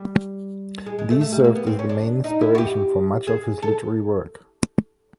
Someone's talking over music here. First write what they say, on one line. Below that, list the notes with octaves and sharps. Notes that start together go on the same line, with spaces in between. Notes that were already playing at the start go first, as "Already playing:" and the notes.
These served as the main inspiration for much of his literary work.
Already playing: G3
G#3
G#3
A3
A3
G3
A#3
B3
C4
C#4
D4
D#4
E4
F#4
G4
G#4
A4